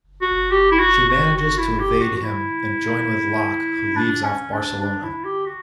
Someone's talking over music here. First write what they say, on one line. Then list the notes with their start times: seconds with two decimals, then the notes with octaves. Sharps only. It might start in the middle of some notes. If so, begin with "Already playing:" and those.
She manages to evade him, and join with Locke who leaves off Barcelona.
0.22 F#4
0.51 G4
0.71 E4
0.79 F#4
1.09 F#4
1.37 F#4
1.59 E4
1.80 G4
2.01 F#4
2.17 F#4
2.23 E4
3.96 D4
4.24 C#4
4.53 D4
4.81 D4
5.03 E4
5.25 G4
5.46 F#4